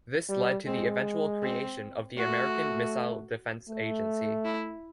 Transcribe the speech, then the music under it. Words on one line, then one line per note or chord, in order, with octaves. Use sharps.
This led to the eventual creation of the American Missile Defense Agency.
G3
G#3 C4
C4
A3 F#4
A3
E4